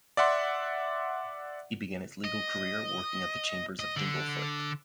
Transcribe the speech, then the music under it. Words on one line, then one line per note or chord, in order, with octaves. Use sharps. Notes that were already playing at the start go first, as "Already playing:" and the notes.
He began his legal career working at the chambers of Dingle Foot.
D5 E5 F#5 C6
D#5
D#5
D3